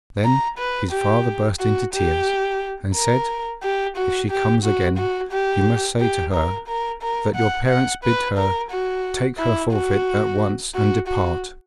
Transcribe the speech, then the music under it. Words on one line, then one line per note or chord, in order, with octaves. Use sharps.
Then his father burst into tears and said, 'If she comes again you must say to her that your parents bid her take her forfeit at once, and depart.'
A#5
B4
G4
F#4
G4
A#4
G4
F#4
G4
F#4
F#4
G4
G4
A#4
A#4
A#4
F#5
F#5
B4
A#4
F#4
E4
F#4
F#4
F#4